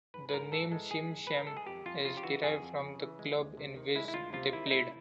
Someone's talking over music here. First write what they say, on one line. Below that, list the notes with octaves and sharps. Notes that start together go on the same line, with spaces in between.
The name Shim Sham is derived from the club in which they played.
G#2 B4
B4
G#2 A#4
E3 A4
G#3 A4
G#2 G#4
G#2
E3 B4
A#4
G#3 A4
G#4
F2 G4
F2 F4
C#3 F4
G4
E3 F#4
F2 G#4
F2
C#3
E3
G#3
D2
C3
D#3
G#3 E4
E4
D2 F4
C3 F4
D#3 E4
D#4
A3 E4